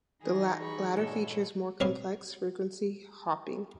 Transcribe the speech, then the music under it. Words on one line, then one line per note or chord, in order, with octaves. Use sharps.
The latter features more complex frequency hopping.
E3 D#4 G#4
G#4 B5 C#6
G2 A#2 G#3 A4 C#5
G3 C4 B4 C#5 D#5 F5